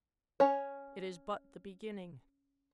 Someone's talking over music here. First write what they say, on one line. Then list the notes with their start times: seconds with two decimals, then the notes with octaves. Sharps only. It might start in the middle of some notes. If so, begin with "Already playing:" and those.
It is but the beginning!
0.40 C#4 C#5